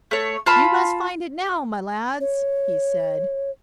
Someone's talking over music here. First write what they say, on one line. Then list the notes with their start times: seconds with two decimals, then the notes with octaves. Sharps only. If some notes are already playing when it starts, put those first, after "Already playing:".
"You must find it now, my lads," he said.
0.11 A3 C#5
0.46 F4 A5 B5
2.21 C#5